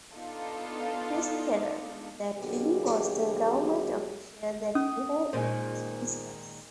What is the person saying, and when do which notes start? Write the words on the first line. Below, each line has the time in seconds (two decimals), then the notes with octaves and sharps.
Fitzgerald knew that Libby was the government official that Miller refused to discuss.
0.14 B3 D4 D#4 F4 A4
2.38 B2 D3 F#3 A#3 G4 G#4
4.75 C#4 D#6
5.33 A#2 D#3 G#3 C5 G#5